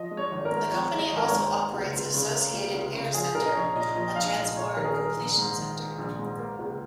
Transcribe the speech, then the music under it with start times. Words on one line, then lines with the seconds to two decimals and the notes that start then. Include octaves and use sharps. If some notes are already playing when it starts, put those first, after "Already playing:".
The company also operates Associated Air Center, a transport completion center.
Already playing: F3 D#5
0.11 G#3
0.17 C#5
0.32 G#1
0.45 A#4
0.52 G#2
0.71 F3 C#5
0.93 G#3
0.99 D#5
1.12 G#1
1.17 A#4
1.26 C#5
1.32 G#2
1.53 A#3
1.73 C#2
1.93 C#2
2.14 C#3
2.34 A#3
2.54 C#2
2.74 C#2
2.94 C#3
3.14 F3 G#4
3.35 A#1 A#4
3.46 D#5
3.55 A#1 C#5
3.75 A#2 D#5
3.96 F3 D#5
4.16 A#1 F5
4.36 A#1 D#5
4.56 A#2 C#5
4.77 D#3 A#4
4.84 G#4
4.93 A#3 A#4
5.17 A#1
5.38 G#2
5.58 D#3
5.78 A#3
5.98 A#1
6.19 G#2
6.39 A#3
6.59 C#2